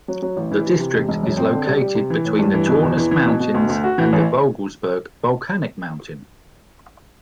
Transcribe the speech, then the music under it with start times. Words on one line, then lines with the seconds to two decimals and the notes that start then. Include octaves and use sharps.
The district is located between the Taunus mountains and the Vogelsberg volcanic mountain.
0.08 F#3
0.22 F#3
0.37 A1
0.51 E3
0.66 C3
0.80 C3
0.95 E1
1.09 E1
1.23 F#2
1.38 C4
1.52 D3
1.67 G3
1.81 G3
1.95 C3
2.10 E3
2.25 A2
2.39 G2
2.54 E3
2.68 B2
2.83 E2
2.97 E3
3.11 E3
3.26 B2
3.40 B2
3.54 D2
3.69 D2
3.84 F#4
3.98 E3
4.13 A1